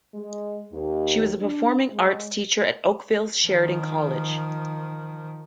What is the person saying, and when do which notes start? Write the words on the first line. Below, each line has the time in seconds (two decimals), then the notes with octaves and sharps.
She was a performing arts teacher at Oakville's Sheridan College.
0.14 G#3
0.72 D#2
1.40 D4
1.91 G#3
3.45 D#3 F3